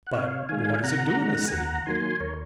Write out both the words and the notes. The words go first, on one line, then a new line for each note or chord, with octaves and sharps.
But what does it do in the sea?
F#5
C3 C#5 F5
D#3 G#3 F5 G#5
C3 F#5 A#5
D#3 G#3
G#5
D#2 F#5 A#5
D#3 F#3 A#3 G#5 C6
D#2 A#4 C#5